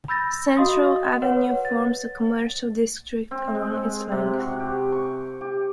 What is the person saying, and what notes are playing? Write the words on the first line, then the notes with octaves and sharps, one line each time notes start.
Central Avenue forms a commercial district along its length.
B5 E6 G6 A6 A#6
F#4 D#5 F5 C6 D#6
B4 C#5 F#5
A6
C4
G#3
C3
F#4
G4
C#6
G4